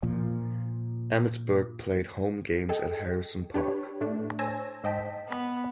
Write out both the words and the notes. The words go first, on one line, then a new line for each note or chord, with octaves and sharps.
Emmetsburg played home games at Harrison Park.
A#2 F3
G#4 A4 D#5 G5
D4 G4 B4 C#5
A2 A3 D4
C5 C#5 G#5 A5 E6 A#6
G#2 C5 D#5 G5 A5 B6
B3